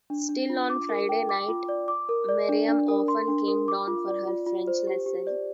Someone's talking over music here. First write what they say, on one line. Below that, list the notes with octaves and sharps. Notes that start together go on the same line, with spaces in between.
Still on Friday night Miriam often came down for her French lesson.
D4
D4
F4
D6
A#4
G5
D6
F4
D5
D6
A#4
D5
D4
D4
A#4
C6
D4
A#4
D6
F4
D5
F4
F4
C5
G4
G4
D5